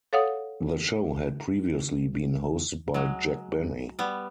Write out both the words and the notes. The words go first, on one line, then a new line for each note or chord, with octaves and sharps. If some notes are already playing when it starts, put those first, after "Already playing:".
The show had previously been hosted by Jack Benny.
A4 C#5 F5 F#5 D#6
F#3 G#3
G3 B3